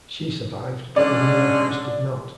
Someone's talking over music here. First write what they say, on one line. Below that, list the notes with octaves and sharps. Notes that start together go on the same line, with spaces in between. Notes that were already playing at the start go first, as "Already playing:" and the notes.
She survived, but the new empress did not.
D3 G#3 C#4 D5